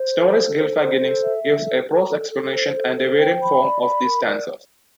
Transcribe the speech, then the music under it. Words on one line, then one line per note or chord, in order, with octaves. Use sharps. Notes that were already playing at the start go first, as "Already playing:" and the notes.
Snorri's "Gylfaginning" gives a prose explanation and a variant form of these stanzas.
Already playing: C5
A4
A4
C5
C5
A4
E5
A4
A4
A4
A4
A4
C5
A4
C5
G5
B5
D5
B5
A#4
D5